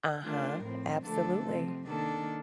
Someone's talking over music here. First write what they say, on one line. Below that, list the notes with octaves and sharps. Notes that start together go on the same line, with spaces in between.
Uh-huh, absolutely.
A3 D4 F4 A#4
A2 F3 C4
D3 F3 A3 D4 A4
C3 F3 C4
D#3 A#3 D4 A4